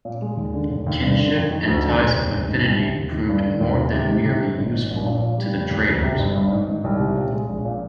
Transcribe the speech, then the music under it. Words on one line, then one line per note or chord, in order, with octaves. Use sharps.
Kinship and ties of affinity proved more than merely useful to the traders.
A#2
G#3
D#2
D3
F1
D#2
G2
D3
F2
D#3
D2
D3
F1
D#2
G#1
G#2
C2
C3
D#2
D#3
G2
D3
D#2
D#3
C3
D#3
C3
D#3
G#1
G#2
A#1
A#2
A#2
G3
F1
D#2
D2
C3
G1
G2
G#2
D#3
C2
C3
A#2
G#3
A#1
A#2